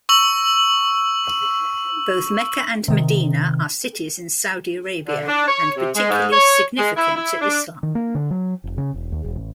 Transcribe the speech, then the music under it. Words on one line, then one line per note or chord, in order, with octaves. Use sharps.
Both Mecca and Medina are cities in Saudi Arabia and particularly significant to Islam.
C#6 E6 F#7
C3 D#3
D3
D4
C#5
C3
G#3
G#2
C#5
G#3
E4
E4
D4
D#3
A#3
D3
F#3
F1
C#3
E1
D#2
E1
A1